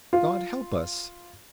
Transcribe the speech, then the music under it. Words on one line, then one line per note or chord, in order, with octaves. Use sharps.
God help us!
F4